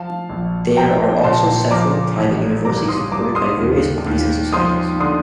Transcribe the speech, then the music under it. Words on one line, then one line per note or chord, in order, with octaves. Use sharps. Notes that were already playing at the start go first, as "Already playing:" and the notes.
There are also several private universities supported by various bodies and societies.
Already playing: F3 F5 A5
A#1
F3 G5 A#5
A#2 A5 C6
F3 A#5 D6
A1
G2 A#5 D6
C6 D#6
G2 A#5 D6
C6 D#6
D#2
D#2
F3 C6 D#6
D3 C6 D#6